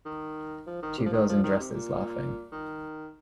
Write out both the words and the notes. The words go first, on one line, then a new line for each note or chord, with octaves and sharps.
Two girls in dresses laughing.
D#3
F3
D#3
C3
F3
D#3
F3
D#3
C3
A#2
D#3